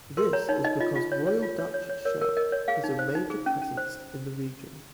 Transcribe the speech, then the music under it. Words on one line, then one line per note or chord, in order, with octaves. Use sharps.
This is because Royal Dutch Shell has a major presence in the region.
A#4 C6
C#5 A#5
D#4 C#5
D#4 D#5
F4 D#5
F4
C#5
C#5
F4
C#5
C#5
C#5
A#4 C#5
A#4
A#4 D#5
C#5
G#4 F5
D#4
C5
D#4
G#4
C#4
C#4
C5